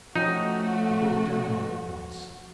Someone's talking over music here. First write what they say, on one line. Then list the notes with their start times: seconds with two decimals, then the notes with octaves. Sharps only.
He broke down all at once.
0.16 F3 A3 C#4 D#4 F#4 G4